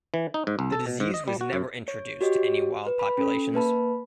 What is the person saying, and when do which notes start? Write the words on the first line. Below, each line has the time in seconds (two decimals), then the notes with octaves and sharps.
The disease was never introduced to any wild populations.
0.14 E3
0.34 D#4
0.47 G#2
0.59 C2
0.72 A4
0.86 B2
1.00 G#2
1.14 D#5
1.28 G3
1.41 F#4
1.53 F#2
1.88 C#5
2.21 F#4 G4 C#5 D#5
2.86 B4
2.99 B5
3.18 C#4 A4
3.54 A#3 B4 A5 B5